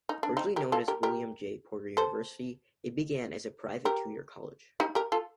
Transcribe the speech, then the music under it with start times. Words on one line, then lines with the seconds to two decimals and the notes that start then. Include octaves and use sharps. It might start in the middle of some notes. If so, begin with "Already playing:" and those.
Originally known as William J. Porter University, it began as a private two-year college.
0.09 D#4
0.23 D4
0.37 C4 D#4
0.56 G4 A#4
0.72 F4 A4
0.88 G4 A#4
1.03 G4 A#4
1.97 A4 C5
3.85 G4 A#4
4.80 D#4 G4
4.95 G4 A#4
5.12 F4 A4